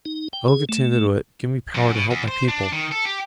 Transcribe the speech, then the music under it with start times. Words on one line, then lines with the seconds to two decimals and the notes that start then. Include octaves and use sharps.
O Getanittowit, give me power to help my people.
0.05 D#4
0.33 G5
0.48 G#4
0.69 A3
1.75 F#2
1.95 B2
2.11 E2
2.28 C5
2.49 D4
2.73 D#3
2.92 A4
3.05 G4